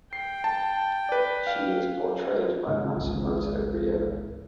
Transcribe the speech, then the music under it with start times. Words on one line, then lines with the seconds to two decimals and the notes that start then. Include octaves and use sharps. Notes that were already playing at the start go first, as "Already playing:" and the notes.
She is portrayed by Matsumoto Rio.
0.13 G5 C7
0.44 A5
1.09 B4 D5
1.47 F5
2.67 G#2 C#3
2.95 G#1 C#2 G#2